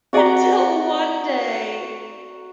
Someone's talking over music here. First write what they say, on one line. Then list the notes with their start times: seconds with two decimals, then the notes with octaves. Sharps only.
Until one day,
0.13 C4 F#4 D5 F#5 A#5